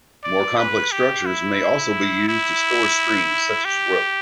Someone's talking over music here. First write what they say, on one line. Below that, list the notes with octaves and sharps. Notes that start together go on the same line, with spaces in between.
More complex structures may also be used to store strings such as the rope.
D5
B4
G4
E4
E4
G4